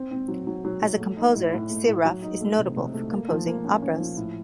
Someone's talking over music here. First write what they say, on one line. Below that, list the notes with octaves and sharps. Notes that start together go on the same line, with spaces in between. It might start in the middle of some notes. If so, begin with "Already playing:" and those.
As a composer, Serov is notable for composing operas.
Already playing: C4
C4
F#3
F#3
F#3
F#3
A3
D#4
A2
A2
A3
A2
F#3
D#4
A3
C3
C3
A3
A#3
F3
A#3
C#4
C#4
F3
A2